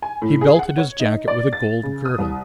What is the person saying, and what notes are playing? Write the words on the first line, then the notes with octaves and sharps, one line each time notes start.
He belted his jacket with a gold girdle.
G#5
A2
G#4
F#5
C#5
D#4
D5
A6
C#3
D#6
C2